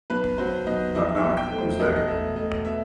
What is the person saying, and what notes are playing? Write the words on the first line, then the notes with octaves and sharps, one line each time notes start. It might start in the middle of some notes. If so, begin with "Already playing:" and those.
Knock knock! Who's there?
B1 B4
F#3 C5
B1 D#5
E4 D#5
E5
B1
G5
A3
C5
E1 D#5
D#5
A3 E5
A3 D#5
B2 E5